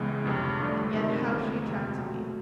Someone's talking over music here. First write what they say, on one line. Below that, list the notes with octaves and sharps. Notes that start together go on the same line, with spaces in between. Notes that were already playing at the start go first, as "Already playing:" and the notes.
And yet how she attracted me!
Already playing: C#2 C#3 E3 G#3 B3
G1 F2 C3
G2 D3 F3 A3 D4
C3 D#3 G#3 C4
D#2 D3 F3 A3
F2 C3 F3 G#3 C4
B2 F#3 A3